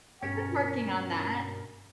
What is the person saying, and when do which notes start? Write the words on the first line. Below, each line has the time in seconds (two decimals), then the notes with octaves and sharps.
I've been working on that.
0.23 G2 B2 C#4 A#4